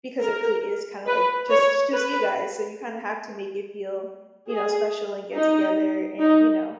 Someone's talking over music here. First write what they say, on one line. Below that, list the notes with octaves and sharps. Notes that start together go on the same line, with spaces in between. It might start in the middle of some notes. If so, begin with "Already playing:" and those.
because it really is, kind of, like, just just you guys, so you kind of have to make it feel, you know, special, and get together, and, you know,
A#4
B4
C#5
B4
G#4
D#4
D#4